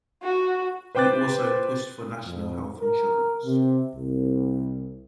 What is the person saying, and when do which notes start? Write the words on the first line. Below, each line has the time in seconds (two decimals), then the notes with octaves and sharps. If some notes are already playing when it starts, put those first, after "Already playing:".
He also pushed for national health insurance.
0.23 F#4
0.95 B4 C5 G5 D6 F#6 A6
2.24 F2
2.80 A#4
3.44 C3
3.95 C2